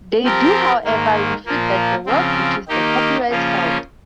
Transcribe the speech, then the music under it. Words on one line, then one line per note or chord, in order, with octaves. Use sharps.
They do, however, refute that the work breaches the copyrights held.
F3 C4 G4 A#4
G#2 D#3 A#3
A#2 F3 A#3
C#3 F3 C4
D#3 A#3 D#4 G4
C#3 F3 A#3 C#4 F4